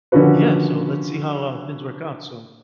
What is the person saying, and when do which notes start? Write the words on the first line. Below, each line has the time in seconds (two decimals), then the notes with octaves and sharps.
Yeah, so let's see how our things work out, so
0.12 D3 D#3 F3 C#4 F#4 B4